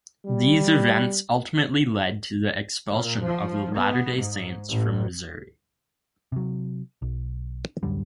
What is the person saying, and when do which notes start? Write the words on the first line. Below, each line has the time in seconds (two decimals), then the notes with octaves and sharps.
These events ultimately led to the expulsion of the Latter Day Saints from Missouri.
0.25 G3
2.92 A#2
3.23 F3
3.76 B3
4.18 G#2
4.70 A1
6.32 C3 F#3
7.02 B1
7.83 D1 F#2 D3 G3